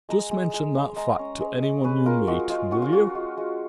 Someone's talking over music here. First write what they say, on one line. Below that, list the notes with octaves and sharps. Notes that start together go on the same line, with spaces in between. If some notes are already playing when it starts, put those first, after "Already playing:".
Just mention that fact to any one you meet, will you?
G#3 A#5
G#3
G#3
G#3
G#3 A#5
C#4
G#3
G#3
C#4 B4
F4 A#4
G#3 F#4
G#3 F4
C#4 F#4
F4
F4 F#4
G#3
G#3